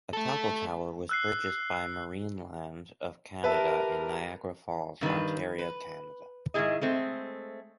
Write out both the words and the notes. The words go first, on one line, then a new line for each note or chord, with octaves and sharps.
A Topple Tower was purchased by Marineland of Canada in Niagara Falls, Ontario, Canada.
A3 A4
E6 F#6 C7
G4 A#4 B4 E5 A5
G2 D#3 G3 B4
B4
G#2 D#3 F3 E4 G#4 D#5
G#3 A3 C4